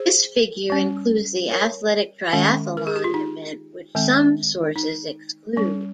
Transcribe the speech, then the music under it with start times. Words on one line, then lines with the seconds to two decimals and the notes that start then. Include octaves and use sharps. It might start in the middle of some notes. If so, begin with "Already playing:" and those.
This figure includes the athletic triathlon event, which some sources exclude.
Already playing: G#4 C5
0.70 G3 C#4
1.51 A#4 C#5
2.33 D#3 G#3 C#4
2.77 A#4
2.87 G#4
2.96 G4
3.04 F4
3.14 D#4
3.95 D#3 G#3 C4
4.76 D#4
5.56 G3 C#4